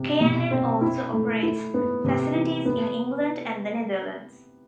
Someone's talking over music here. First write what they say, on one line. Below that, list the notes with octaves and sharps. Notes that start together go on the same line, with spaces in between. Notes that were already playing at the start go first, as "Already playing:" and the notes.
K and N also operates facilities in England and the Netherlands.
Already playing: C3
B2
C4
E4
A3
E4
B3
C3
E3
B3